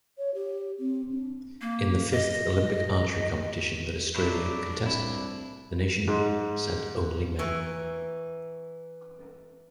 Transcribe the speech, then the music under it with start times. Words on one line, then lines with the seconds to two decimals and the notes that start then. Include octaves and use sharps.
In the fifth Olympic archery competition that Australia contested, the nation sent only men.
0.18 C#5
0.34 G4
0.79 C4
1.11 D4
1.61 A#3
2.13 D#5
4.15 F#3 D4 E4
4.86 C2 E4
6.08 G#2
7.39 E3 A#4 C#5